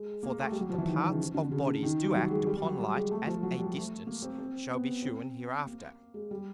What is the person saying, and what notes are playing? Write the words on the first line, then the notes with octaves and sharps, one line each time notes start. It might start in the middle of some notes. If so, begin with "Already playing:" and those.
For that the parts of Bodies do act upon Light at a distance shall be shewn hereafter.
Already playing: G#3
A#3
A3
G3
F#3
F3
E3
D#3
C#3
D3
D3
C#3
D3
D#3
G3
F#3
G#3
G3
G3
F#3
G3
G#3
A3
F3
F#3
G3
A3
A#3
C4
C4
B3
C4
A#3
G#3
G3